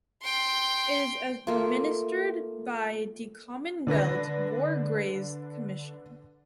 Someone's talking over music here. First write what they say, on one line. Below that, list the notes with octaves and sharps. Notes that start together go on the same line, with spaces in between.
It is administered by the Commonwealth War Graves Commission.
G5 C6
A3 A#3 F4
D3 D4 B4 A#6